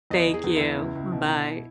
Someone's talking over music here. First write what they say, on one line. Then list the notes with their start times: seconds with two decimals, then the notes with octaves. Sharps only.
Thank you, bye.
0.10 E2 D#5
0.27 E3
0.34 G#4
0.44 E2
0.56 E2 E4
0.78 C#2
0.95 C#2
1.12 B2
1.30 B2